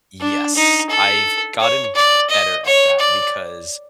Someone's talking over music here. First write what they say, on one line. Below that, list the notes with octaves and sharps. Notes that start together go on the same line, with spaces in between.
Yes. I've gotten better at that, because
D4
D#4
A4
C#5
D5
D#5
C#5
D5